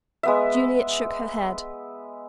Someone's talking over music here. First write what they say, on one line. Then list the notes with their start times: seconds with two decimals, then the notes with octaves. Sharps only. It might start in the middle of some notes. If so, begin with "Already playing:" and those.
Juliet shook her head.
0.23 G#3 B3 E5